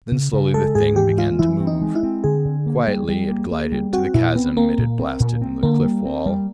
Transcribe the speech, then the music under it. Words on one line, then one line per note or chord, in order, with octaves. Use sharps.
Then slowly the Thing began to move; quietly it glided to the chasm it had blasted in the cliff wall.
C#3
C#3
G#3 A4
G#2 G#4
E3 G4
G#3 F4
E3 E4
C4
D#4
G#3
E4
C4
D3 G#4
D3
A#3
G3
G3
A#3
A#3
G3
C4 F#4
A#2 E4
B3 C4
A#3 C4
A#2
C4
A#2
C4
D3 A#3
G3
C4
G3